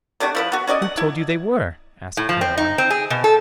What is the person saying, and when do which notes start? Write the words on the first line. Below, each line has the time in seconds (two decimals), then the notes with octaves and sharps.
"Who told you they were?" asked Caroline.
0.20 C3 A3 D4 F#4
0.35 F3 E4 B4
0.52 B3 F#4
0.67 C#4 F#4 D5 D#5
0.82 F#5
0.97 E4
2.17 A2
2.29 F3
2.41 C4
2.58 D#4
2.78 C4
2.90 G#4
3.10 B2
3.24 A4